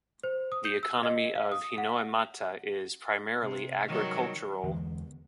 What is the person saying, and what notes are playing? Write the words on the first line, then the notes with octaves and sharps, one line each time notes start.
The economy of Hinoemata is primarily agricultural.
C5
D#6
G6
E6
D#5
F5
D#6
F#5
C3
D#3 F#3 G3
E2 D3 E3 G#3